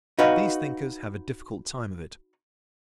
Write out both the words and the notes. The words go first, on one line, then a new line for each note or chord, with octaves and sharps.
These thinkers have a difficult time of it.
D#4 F#4 B4 F5